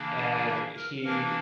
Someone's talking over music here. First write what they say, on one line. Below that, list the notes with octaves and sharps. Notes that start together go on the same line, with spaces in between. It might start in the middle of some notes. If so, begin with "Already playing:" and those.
And he
Already playing: C#3 E3 A#3 D4
D5
E5
A#4
E3 A#3 D4 A#4